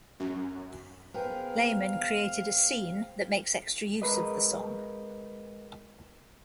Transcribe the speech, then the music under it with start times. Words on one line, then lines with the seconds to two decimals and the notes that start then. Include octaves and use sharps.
Lehman created a scene that makes extra use of the song.
0.20 F#2
1.14 B3 G#4 A#4 C5 F5 G5
4.02 G#3 A#4 B4 D#5